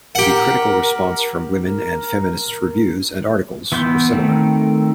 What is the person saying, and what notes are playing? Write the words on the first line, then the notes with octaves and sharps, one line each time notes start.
The critical response from women and feminist's reviews and articles were similar.
G4 A#4 F#5
A#4
E3 B3 C6 G6
D#3 A3 C4